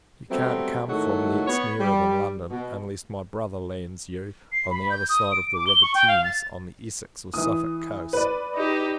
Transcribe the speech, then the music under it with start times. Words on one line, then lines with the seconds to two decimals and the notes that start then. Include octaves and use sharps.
You can't come from thence nearer than London, unless my Brother lands you on the other side of the river Thames, on the Essex or Suffolk coasts.
0.30 F#3 G3 A3 B3 C4
0.87 A2 D#3 F#3 G#3 A3 F#4
1.47 B3 C#5
1.80 G3
2.50 B2
4.52 C7
4.71 B5
4.90 G6
5.09 D#6
5.32 D7
5.53 D6
5.67 G7
5.82 C#6
5.94 G5
6.08 F5
6.24 A6
7.34 E3 D#6
8.13 B4 D5
8.55 D#4 G4